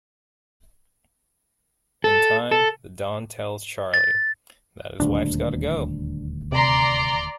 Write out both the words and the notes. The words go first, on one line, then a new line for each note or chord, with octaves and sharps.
In time, the don tells Charley that his wife's gotta go.
A4
A4
A6
D#1 D2 D4
C3 D5 A#5 C6